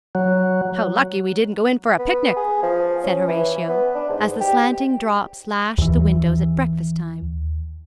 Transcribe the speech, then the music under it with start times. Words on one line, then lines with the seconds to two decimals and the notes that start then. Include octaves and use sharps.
'How lucky we didn't go in for a picnic!' said Horatio, as the slanting drops lashed the windows at breakfast time.
0.15 F#3
1.98 B3
2.36 G#4
2.63 F3
3.03 C#4
3.28 E3
3.68 B3
3.95 D4
4.09 G#2
4.41 G4
5.78 D#2 E3